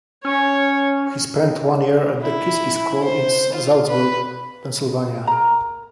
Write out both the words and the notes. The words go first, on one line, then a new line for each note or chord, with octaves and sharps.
He spent one year at The Kiski School in Saltsburg, Pennsylvania.
C#4 C#5
E4
C5
F4
B4
A#4 A#5